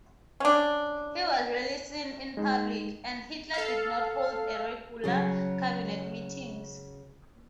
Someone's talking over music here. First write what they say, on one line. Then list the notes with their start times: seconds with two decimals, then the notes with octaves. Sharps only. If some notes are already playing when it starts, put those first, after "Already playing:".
He was rarely seen in public, and Hitler did not hold regular cabinet meetings.
0.40 C#4 D4
2.37 G#3 D#4
3.53 A4 F5
5.04 C#3 F#3 C#4 G#4